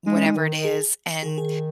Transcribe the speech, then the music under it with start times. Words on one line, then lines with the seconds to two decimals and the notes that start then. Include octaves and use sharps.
whatever it is, and
0.06 G#3 D#4
0.16 C#4
0.26 D#4
0.36 D#3
0.65 G#4
1.22 D#3 G#4
1.38 G#4